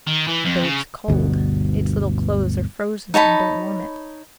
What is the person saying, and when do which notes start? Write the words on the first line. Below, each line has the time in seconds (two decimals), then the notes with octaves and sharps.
"The babe's cold, its little clothes are frozen and don't warm it."
0.07 D#3
0.27 E3
0.45 F2
0.63 C#3
1.08 G1 D2 G2 B2
3.14 D#4 C#5 A5 B5